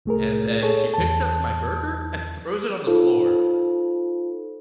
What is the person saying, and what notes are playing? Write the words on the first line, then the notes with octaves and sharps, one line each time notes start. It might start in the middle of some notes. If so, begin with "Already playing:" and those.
And then, she picks up my burger and throws it on the floor.
C2 A3 G#4 A#4
G#4 A4 C#5
E2 A5
D#4 F4 A4 C5